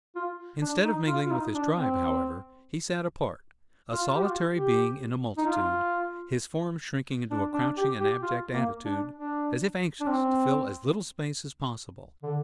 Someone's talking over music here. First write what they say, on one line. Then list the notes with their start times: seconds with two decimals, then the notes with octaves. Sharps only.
Instead of mingling with his tribe, however, he sat apart, a solitary being in a multitude, his form shrinking into a crouching and abject attitude, as if anxious to fill as little space as possible.
0.15 F4
0.62 D4
0.85 D#4
1.07 F4
1.26 F4
1.31 D#4
1.54 D4
1.76 C4
3.92 F4
4.15 G4
4.23 F4
4.54 G4
5.38 D#4
5.46 F4
7.31 D4
7.53 D4
7.77 G4
8.00 G4
8.22 F4
8.53 A#3
8.85 D4
9.16 D4
10.00 D4
10.08 C4
12.23 D3